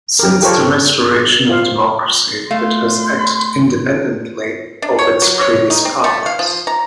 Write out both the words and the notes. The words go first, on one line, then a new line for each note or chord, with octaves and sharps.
Since the restoration of democracy it has acted independently of its previous partners.
G4 A#4
F4 G4 A4 A#4 C5 C#5
F4 C5 F5
A3 F5 C6
D4
C#5
F#3
C#5
D#4
C4
A3
F5
F3
A#5